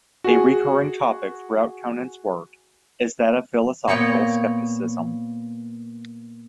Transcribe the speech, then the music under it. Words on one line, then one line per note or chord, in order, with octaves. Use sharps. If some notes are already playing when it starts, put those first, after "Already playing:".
A recurring topic throughout Conant's work is that of philosophical skepticism.
F#4 G#4
A#2 A#3 B3 C#5 G5 A#5